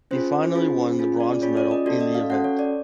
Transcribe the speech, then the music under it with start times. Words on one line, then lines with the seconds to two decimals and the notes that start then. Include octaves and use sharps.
He finally won the bronze medal in the event.
0.11 C#4 F4 G#4 C5
0.54 C#4 F4 G#4
0.99 C#4 F4 G#4
1.20 D5
1.42 C#4 F4 G#4 C#5
1.57 D5
1.71 D#5
1.86 C#4 F#4 A4 D5
2.00 D#5
2.15 F5
2.30 C#4 F#4 A4 F#5
2.44 C#5
2.59 D5